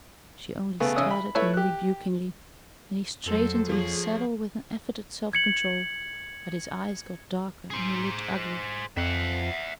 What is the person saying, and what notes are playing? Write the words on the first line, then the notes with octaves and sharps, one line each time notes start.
She only stared at him rebukingly, and he straightened in his saddle with an effort at self-control--but his eyes got darker and he looked ugly.
C#3 A3 B3
A1 C#3 C#4 D#6 E6
B5
A3 E4 B4 C#5 E5
G4 F#6
F2 F#3 A4 C5
F3 G#4 C#5
G#6 C#7 F#7
G#4 C5
F2 E5 F#5